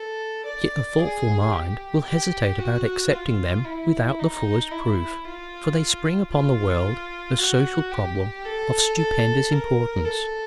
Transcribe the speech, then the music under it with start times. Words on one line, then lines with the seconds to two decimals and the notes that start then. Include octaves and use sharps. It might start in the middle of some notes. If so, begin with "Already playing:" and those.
Yet the thoughtful mind will hesitate about accepting them without the fullest proof, for they spring upon the world a social problem of stupendous importance.
Already playing: A4
0.46 D5
0.99 G#4
1.52 G4
2.05 G4
2.59 F#4
3.11 F4
3.65 E4
4.19 D#4
4.71 E4
5.25 F4
6.31 F4
7.39 F#4
7.91 G4
8.45 A4
8.98 A4
9.52 A#4
10.05 A4